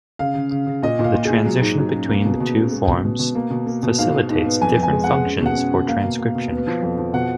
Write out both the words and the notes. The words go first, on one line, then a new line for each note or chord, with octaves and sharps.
The transition between the two forms facilitates different functions for transcription.
C#3 F5
C#3
C#3
C#3
A#2 D#5
A#2
F5
A#2
A#2 G#4
F#3
G#2
F#3
C#4
A#3
B2
B2
C#4
G#3
B2
B2
B2
A#3
B2
A#3
B2
G#2 F5
G#2
G#2
B3
F2 G#5
F2
G#5
G#3
F#5
G#3
C#4
B2 F#5
C#4
B2
A#3 F5
B2
A#3
B2
B3
F3
F2
F3
B2 F#5